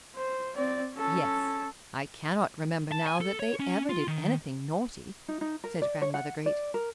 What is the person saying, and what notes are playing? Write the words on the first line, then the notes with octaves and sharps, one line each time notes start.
"Yes; I cannot remember now that they ever did anything naughty," said Grandmother Great.
C5
C4 D5
C#4 A4
A5
G#5
A4
C#5
C#4
F4
D#3
D#4
D#4
A#4
D5
C#5
F#5
D5
A#4